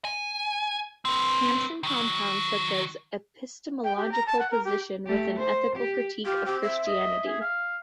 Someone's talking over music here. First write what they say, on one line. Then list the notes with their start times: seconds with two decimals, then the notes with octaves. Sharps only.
Hampson compounds such an epistemological position with an ethical critique of Christianity.
0.05 G#5
1.05 C4 B4
1.83 D#3 F#3
3.84 G5
3.97 G4
4.12 A#5
4.27 A5
4.39 F#5
4.51 A#4
4.65 G4
5.06 A3 G4
5.36 C5
5.76 G4
6.25 F4 G4
6.46 C4 G4
6.63 E5
6.87 D#5
7.26 G#4
7.41 F5